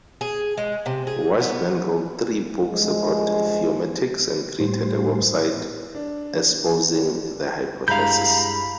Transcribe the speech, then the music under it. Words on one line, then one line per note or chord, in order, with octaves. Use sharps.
Washburn wrote three books about theomatics and created a website espousing the hypothesis.
G#4
G#3
C3
G#4
B3
G2 F3 G#3
A2 G3 C5
D4
G2 G#3 E4 F5 A#5 B5 G6